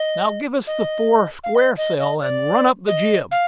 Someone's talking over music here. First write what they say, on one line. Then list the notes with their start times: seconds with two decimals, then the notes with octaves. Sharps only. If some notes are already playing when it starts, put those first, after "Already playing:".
"Now give us the fore squaresail, and run up the jib."
Already playing: D#5
0.67 D#5
1.44 F5
1.55 D#5
1.77 D#5
1.99 D#5
2.21 D5
2.87 D#5
3.31 F5